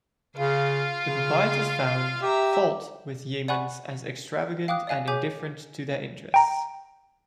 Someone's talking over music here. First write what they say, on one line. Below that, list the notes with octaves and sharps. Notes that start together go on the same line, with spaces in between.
The proprietors found fault with Yeamans as extravagant and indifferent to their interests.
C#3 F4 F5
C#3
G4 E5 A#5
D5 F#5 G#5 B5 C#6 F#6
F5 G5 D6 D#6 F#6
D5 D#5 F5 G#5 F#6
G#4 C#5 G#5 D6 G6 B6
G5 A#5